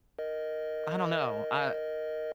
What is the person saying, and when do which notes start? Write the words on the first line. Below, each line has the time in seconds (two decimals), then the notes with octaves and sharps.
I don't know. I
0.19 A#4 D#5